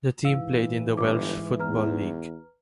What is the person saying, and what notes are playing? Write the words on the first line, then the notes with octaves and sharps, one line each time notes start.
The team played in the Welsh Football League.
G#2 E3 F5 E6
G1 D6
E2 B4 A#5 F6